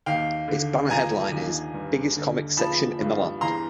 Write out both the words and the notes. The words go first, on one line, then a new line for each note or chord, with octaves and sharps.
It's banner headline is "Biggest Comics Section in the Land".
D#2 F5 G5
D3
F3 G#5 A#5
D#2
G2
D3
F3 A5 B5
G2
E2 A#5 C6